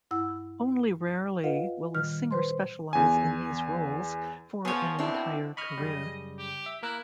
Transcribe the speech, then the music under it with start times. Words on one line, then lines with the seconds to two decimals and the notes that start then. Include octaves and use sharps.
Only rarely will a singer specialize in these roles for an entire career.
0.11 G2 E4 F#5 E6
1.43 F4 B4 D#5 F5 F#5
1.95 A#2 D#3 G3 F6
2.31 B4 C5 C6
2.93 E2 G#5
4.65 F3 B3 G#4 C#5
4.99 B2 C4 D4 E4 D5
5.57 D#5 B5 C#6 F6
5.77 F#2 C#3 G3
6.38 G4
6.66 E5
6.83 A#3 E4 A#4 F#6